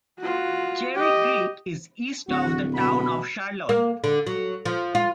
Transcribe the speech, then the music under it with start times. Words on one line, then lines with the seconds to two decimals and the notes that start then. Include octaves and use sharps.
Cherry Creek is east of the town of Charlotte.
0.20 F4 F#4
0.95 G4 D#5
2.28 D1 F#4
2.73 B2 B5
3.69 A#3
4.04 D3
4.27 F#3
4.65 F3
4.95 F4